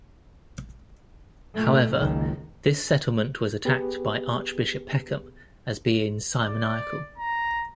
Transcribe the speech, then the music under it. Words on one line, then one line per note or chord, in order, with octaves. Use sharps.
However, this settlement was attacked by Archbishop Peckham as being simoniacal.
A#2 A3
F#1 C#2 D#3
B3 G4 G#4 B4
D5
A#5